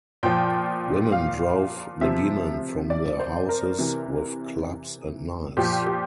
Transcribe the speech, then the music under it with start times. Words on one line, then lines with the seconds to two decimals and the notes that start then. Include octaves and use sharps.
Women drove the demon from their houses with clubs and knives.
0.23 A#2 F3 G5
1.12 F5
2.01 C3 F3 E5
2.90 D5
3.20 C5
3.49 A#4
3.79 C3 E3
5.57 A#2 F3 G4
5.86 G4